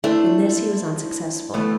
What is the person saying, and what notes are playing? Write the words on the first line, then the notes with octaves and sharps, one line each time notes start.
In this he was unsuccessful.
A3 D4 E4 C5
E3 A3 B3